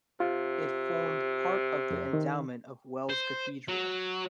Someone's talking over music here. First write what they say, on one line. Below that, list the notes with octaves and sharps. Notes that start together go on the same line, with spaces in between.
It formed part of the endowment of Wells Cathedral.
C3 F4
F2
D#3
C5
F#3